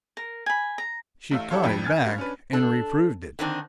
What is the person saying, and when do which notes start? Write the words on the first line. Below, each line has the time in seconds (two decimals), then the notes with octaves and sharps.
She caught it back and reproved it.
0.17 A#4
0.46 G#5 B5
0.78 A#5
1.31 A1 A3 F5 E6
1.50 E4 F#4 G4 A4 C#5 F5
1.63 C2 F2 D4 G5 B5 B6
1.84 G#5 F6 G#6 A6
2.02 G2 A#3
2.18 C#4 D4 B4
2.53 D4 A4
3.39 D3 D#3 C4 D4